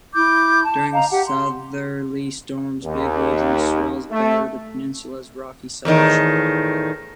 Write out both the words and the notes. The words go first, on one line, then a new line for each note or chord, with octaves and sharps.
During southerly storms, big waves and swells batter the peninsula's rocky southern shore.
E4 D6 G6
A5
D#5 F5 A#5
G4 F#5
C6
D#2
A3
E2 A2 D#3